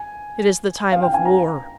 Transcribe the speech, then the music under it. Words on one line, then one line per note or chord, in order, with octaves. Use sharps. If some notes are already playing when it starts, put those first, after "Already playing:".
It is the time of war.
Already playing: G#5
F5
G5
G#5
A#5